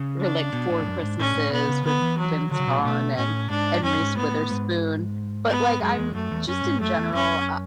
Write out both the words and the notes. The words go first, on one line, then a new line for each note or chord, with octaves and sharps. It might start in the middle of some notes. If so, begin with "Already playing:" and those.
or, like, Four Christmases with Vince Vaughn and and Reese Witherspoon. But, like, I'm just in general a
Already playing: C#3
D4
B2
A2
E2
F#2
G#2
A2 C#4
A2
B2 B3
C#3
D3 B3
E3
F#3
D3 F#3
C#3
B2
A2
B2 A3
A2 C#4
G#2 D4
F#2 C#4
G#2
A2 B3
G#2
B3
F#2 G#3
E2
F#2 A3
E2
F#2 C#4
G#2
F#2 A3
E2
F#2 C#4